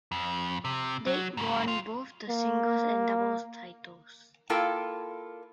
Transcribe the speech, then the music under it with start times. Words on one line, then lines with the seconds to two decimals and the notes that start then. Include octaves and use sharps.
Date won both the Singles and Doubles titles.
0.12 F2
0.65 C3
1.07 F#3
1.37 G#2 C#3
1.68 F2 F4
2.29 A#3
4.50 A#3 E4 F4 A4 A#4 G5